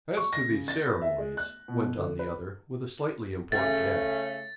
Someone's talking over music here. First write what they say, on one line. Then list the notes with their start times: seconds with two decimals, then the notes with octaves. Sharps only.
"As to the ceremonies---" went on the other, with a slightly important air.
0.17 C#6
0.33 A#6
0.49 C#3
0.68 A6
0.87 B4
1.02 E5
1.18 G#3
1.37 F#6
1.68 B2
1.96 D3
2.19 B4
3.52 C#3 A3 A6